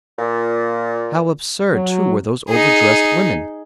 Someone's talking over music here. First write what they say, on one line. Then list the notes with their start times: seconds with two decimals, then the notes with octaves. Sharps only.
How absurd, too, were those overdressed women!
0.19 A#2
1.73 F#3
2.49 D#4 G#4